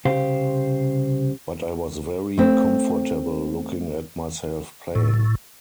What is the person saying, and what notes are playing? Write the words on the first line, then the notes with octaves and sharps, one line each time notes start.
But I was very comfortable looking at myself playing.
C2 C#3 G4 C5 F5
A3 C4
A2